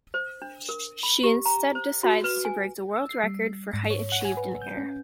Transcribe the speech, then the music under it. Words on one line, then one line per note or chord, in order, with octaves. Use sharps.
She instead decides to break the world record for height achieved in air.
C5
D4
A#4
B5
G4
A#5
C5
F#4
B4
G#5
E6
C7
G3
G#2
C#5
F#5
G#5
B4
G6
C#4